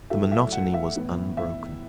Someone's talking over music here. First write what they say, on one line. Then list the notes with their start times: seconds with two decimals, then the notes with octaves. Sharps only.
The monotony was unbroken.
0.10 A2 F#3 A3 E5
0.32 E5
0.52 F#5
0.74 E5
0.96 A2 E3 B3 E4
1.37 E5